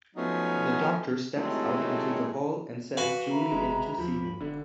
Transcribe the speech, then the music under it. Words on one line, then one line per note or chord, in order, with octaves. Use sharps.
The doctor steps out into the hall and sends Julie in to see him.
F3 F#3 A3 B3 C#4 D#4
A2 C3 D#3 F#3 G#3 A3
E3 F#4 B4 F5 G#5
E5 A#5 B5
G1 G#3
D#2 F3 B5
E1 D3